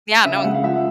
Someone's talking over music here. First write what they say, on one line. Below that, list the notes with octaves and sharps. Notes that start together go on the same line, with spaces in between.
Yeah, knowing
C#3 E5
F5
G#3 F#5
F5
F3 E5